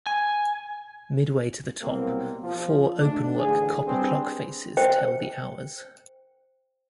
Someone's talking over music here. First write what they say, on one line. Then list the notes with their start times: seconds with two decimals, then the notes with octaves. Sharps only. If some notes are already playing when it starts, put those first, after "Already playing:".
Midway to the top, four openwork copper clockfaces tell the hours.
0.06 G#5
1.82 C2 B2 F#3 A#3 C4
2.42 F3
2.98 G#2 A3 D4
3.37 A1 D3 G#4
3.86 G3 C4 D4 G#4 B4
4.77 C5 G5